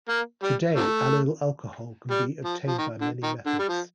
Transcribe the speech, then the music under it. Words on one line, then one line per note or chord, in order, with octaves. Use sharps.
Today allyl alcohol can be obtained by many methods.
A#3
G3
C3 F3 A3
G3
F3
F3
D#3
D3
D#3
D3
G3
F3